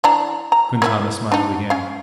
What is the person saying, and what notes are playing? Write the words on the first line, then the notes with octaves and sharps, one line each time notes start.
Quintana smiled again.
E3 D4 A#5
A#5
A#3 C#4 E4
D4 D#4
C#4 F5